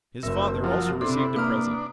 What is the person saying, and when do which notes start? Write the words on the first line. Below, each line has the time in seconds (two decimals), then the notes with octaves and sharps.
His father also received a present.
0.23 F#1 A#4 E5
0.64 F3 F#3
1.01 C3 C4 D4 E4 A4
1.36 A#3 D4 B4 A#5 D#6 F6